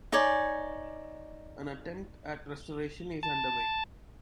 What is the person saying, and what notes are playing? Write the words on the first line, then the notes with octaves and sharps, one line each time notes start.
An attempt at restoration is underway.
D#4 C#5 D5 G#5
A5